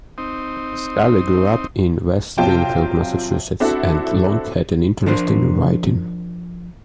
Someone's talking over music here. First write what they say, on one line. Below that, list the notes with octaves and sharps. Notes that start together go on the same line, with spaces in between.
Scully grew up in West Springfield, Massachusetts and long had an interest in writing.
C4 D#4
C3 F#3 F4 G5 A5
C4 D4 E4 F#4 A4
F3 D4 A#4 C5